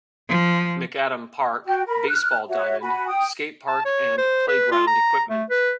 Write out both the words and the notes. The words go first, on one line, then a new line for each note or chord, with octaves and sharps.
McAdam Park - Baseball diamond, Skatepark and playground equipment.
F3
F#4 G5
A#4 B5
F6 F#6
F#4 C#5 E5
F#4 G#5 B5
G5 D#6
A5
C#5
C5
B4
F4
A#5
A3
B4